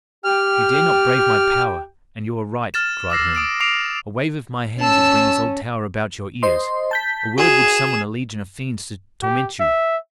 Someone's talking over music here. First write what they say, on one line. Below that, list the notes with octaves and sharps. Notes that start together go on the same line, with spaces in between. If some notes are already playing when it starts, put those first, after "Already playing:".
"You dare not brave my power, and you are right," cried Herne--"a wave of my hand would bring this old tower about your ears--a word would summon a legion of fiends to torment you."
G4 G5 F6
F6 A6 E7
D6 E6 A#6 C7
D#6 D7 E7
D6 C7 D7 F7
C#4 A5 E6
C5 D#5 C6
A5 G6 B6
F#4 G#4 E7
G4
E5